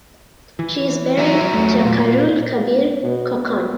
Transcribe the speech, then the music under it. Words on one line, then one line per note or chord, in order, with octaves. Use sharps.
She is married to Khairul Kabir Khokon.
E3
F#3 E5 A#5
E2 A3
A#2
B2
B3